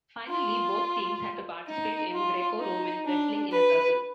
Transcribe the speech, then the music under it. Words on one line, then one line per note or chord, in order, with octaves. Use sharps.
Finally, both teams had to participate in Greco-Roman wrestling in a circle.
F4
D#4
F4
D#4
D4
B4